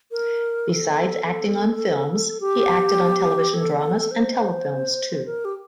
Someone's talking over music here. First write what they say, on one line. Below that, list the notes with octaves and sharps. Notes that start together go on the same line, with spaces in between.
Besides acting on films he acted on television dramas and telefilms too.
A#4
A4
A4
G4
A4
C5
A#4
G4